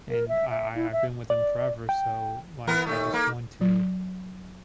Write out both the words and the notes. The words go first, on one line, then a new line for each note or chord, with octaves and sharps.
and I I I've been with them forever. So, like, I just want to
A#4
E5
E5
E4
E5
D5
G5
E3 B3 A#4
D#2 A3
A#3
F#3